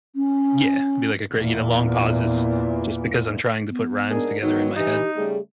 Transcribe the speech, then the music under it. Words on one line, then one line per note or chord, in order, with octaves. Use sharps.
Yeah, be like a great you know, long pauses just because I'm trying to put rhymes together in my head.
C#4
E2 A#2
B3
G#2 D4 G#4 A#4
D#3 E3 F#3 B3 D#4
G2 E3 D#4 G4
C#3 G3 A3 G#4